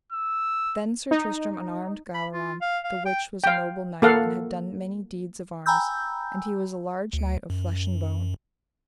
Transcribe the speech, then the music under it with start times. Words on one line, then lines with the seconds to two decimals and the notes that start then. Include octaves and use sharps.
Then Sir Tristram unarmed Galleron, the which was a noble knight, and had done many deeds of arms, and he was a large knight of flesh and bone.
0.12 E6
1.11 D#4
2.15 B5
2.33 F4
2.61 F5
2.84 F5
3.06 G5
3.44 F5 G5
4.02 A#3 A4 F5 F#5
5.66 G5 G#5 A#5 B5 E6 G6
7.13 D2
7.50 F#2